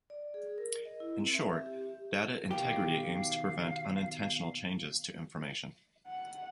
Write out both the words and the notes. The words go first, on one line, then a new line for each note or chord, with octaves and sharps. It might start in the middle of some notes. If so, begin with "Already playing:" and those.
In short, data integrity aims to prevent unintentional changes to information.
D5
G#4
A#4
D#5
E4
C4
E5
G4
B2 D#3 G4 F5
F#5